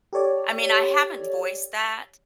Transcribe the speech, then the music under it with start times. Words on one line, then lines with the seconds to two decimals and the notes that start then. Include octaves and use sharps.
I mean, I haven't voiced that,
0.13 G4 A4 C#5 D5